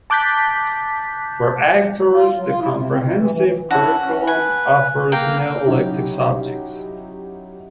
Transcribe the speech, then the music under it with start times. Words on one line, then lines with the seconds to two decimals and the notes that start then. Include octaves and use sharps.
For actors, the comprehensive curriculum offers no elective subjects.
0.10 A5 D6 F#6 G6 A6 B6
2.12 F4
2.35 F#3
2.47 F4
2.61 E4
2.73 C3
2.90 C4
3.02 A#2
3.16 E3
3.33 E3
3.71 C#4 D4 E4 F#4
4.04 C#4
4.27 B4 G#5
5.12 A#3 F5 G5 A#5
5.66 F#3 C#4 D#4 E4 G4